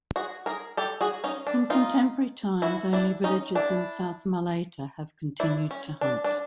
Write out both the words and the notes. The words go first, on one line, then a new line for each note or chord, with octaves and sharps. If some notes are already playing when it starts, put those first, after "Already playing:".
In contemporary times only villages in South Malaita have continued to hunt.
F#4 G#4
G#4 A#4
G4 A4
F#4 G#4
C#4 D#4
D4
D#4 F4
E4 F#4
D4 E4
C#4 D#4
D4 E4
D4 E4
C#4
D4
D4